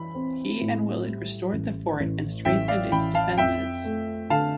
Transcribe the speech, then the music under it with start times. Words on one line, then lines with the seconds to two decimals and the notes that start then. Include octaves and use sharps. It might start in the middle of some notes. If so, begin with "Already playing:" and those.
He and Willett restored the fort and strengthened its defenses.
Already playing: E3 B5
0.15 C4
0.61 A2
1.08 G3
1.53 A1
2.00 A1
2.45 A1 E5 G5
2.68 D5 F5
2.92 A1 G5 B5
3.15 F5 A5
3.38 F2 E5 G5
3.84 A3
4.30 D3 F5 A5